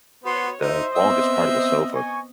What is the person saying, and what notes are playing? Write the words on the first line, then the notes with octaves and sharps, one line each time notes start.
the longest part of the sofa,
B3 F#4 C5 C#5 F#5 C6
D#4 C5 E5
B3 C4 D#5 E5
G#5 C#6